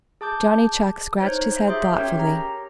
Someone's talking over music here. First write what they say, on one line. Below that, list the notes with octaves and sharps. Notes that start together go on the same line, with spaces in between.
Johnny Chuck scratched his head thoughtfully.
G#4 A5 D6 G6
D#4 C5 C#5
G4 G#4 E5 C6 G6
C#4 G4 A#4 C#5 G5
A#5